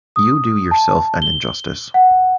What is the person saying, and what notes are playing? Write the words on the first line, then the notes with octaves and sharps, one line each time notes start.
You do yourself an injustice.
D#6
A5
G7
F#5